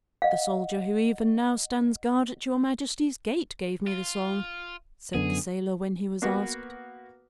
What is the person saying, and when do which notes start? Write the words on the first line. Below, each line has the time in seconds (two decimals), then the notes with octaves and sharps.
"The soldier who even now stands guard at your majesty's gate gave me the song," said the sailor when he was asked.
0.22 D#5 F5 F#5
3.87 F4
5.14 F#2 D3 B3 G#4
6.22 A#3 B3 F#4 B4